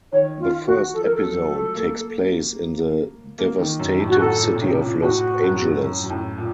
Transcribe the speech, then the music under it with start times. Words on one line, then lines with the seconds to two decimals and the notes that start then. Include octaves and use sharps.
The first episode takes place in the devastated city of Los Angeles.
0.12 D#3 C#5
0.40 F4
0.66 F#4
0.93 F3 A4
1.04 A#4
1.15 A4
1.21 F#3
1.49 A3
1.75 A#3
3.39 A#3
3.59 D#3
3.79 F#2
4.00 A2
4.09 F#4
4.19 A2 A4
4.41 A#2
4.54 C3
4.61 C#3
4.81 A#2
5.02 A2 F#4
5.43 F#2
5.83 F#2
6.03 F#2
6.10 A2
6.38 A#2